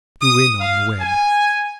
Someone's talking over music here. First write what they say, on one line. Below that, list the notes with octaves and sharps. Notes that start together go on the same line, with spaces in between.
It drew in on the web.
D#6
F5
G#5